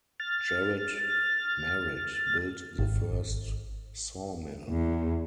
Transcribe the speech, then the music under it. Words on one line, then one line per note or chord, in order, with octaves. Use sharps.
Jared Merritt built the first sawmill.
F6 A6
G#1
E2